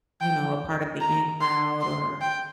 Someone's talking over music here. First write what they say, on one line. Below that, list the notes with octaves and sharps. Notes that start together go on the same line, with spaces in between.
you know, a part of the in crowd, or
G5
A#5
C6
C6
G5